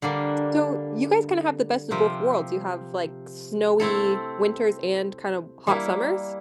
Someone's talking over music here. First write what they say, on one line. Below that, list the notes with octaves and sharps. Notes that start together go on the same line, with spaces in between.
Stow, you guys kinda have the best of both worlds. You have, like, snowy winters and kind of hot summers?
D3 G3 A#3 D4
C3 F3 C4 G4 A#4
A3 C4 E4 A4
G3 A#3 E4